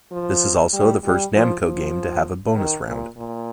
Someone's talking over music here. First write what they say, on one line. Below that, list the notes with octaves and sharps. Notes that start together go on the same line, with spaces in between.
This is also the first Namco game to have a bonus round.
F3
G3
G3
F3
F3
D#3
A#2
A#2